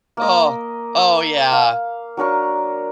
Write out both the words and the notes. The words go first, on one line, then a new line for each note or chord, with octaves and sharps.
Oh! Oh, yeah.
A#3 D#5
E6
F5
F#3 D4 A#4 C#6